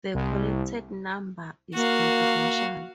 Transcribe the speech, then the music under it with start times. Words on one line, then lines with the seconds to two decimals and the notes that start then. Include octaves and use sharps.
The collected number is confidential.
0.14 C2
1.75 A#3 F#4 F5